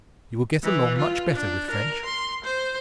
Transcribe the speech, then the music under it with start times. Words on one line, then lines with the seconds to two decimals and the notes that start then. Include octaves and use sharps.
You will get along much better with French.
0.63 E3
0.97 F4
1.33 D4
1.70 A#4
2.05 C6
2.44 C5